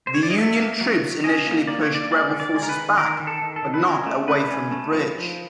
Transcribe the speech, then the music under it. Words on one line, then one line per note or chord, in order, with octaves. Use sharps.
The Union troops initially pushed Rebel forces back, but not away from the bridge.
C5
C#5
D5
D#5
F#3 E5
A#3
F#3
F#3
C#4 D#5
A#3
A#3 D5
C#5
A#3
D5
G#3 D5
D#3
D5
G#3
A#4
B4
D#3
D#3 A#4
D#3
A4
D#3
A4
D#3
B4
C#4 A#4
A3
A3 B4
C#4
A3
F3
F3